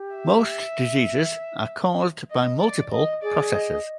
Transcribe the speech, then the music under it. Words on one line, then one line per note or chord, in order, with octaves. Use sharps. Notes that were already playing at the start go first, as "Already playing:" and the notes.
Most diseases are caused by multiple processes.
Already playing: G4
E5
D#5
D5
D#5
G#4 D5
D#5